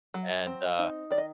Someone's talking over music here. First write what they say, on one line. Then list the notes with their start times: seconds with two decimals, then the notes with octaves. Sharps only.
and uh
0.14 F#3
0.47 C4
0.79 D#4
1.11 D#3 D5
1.18 D#5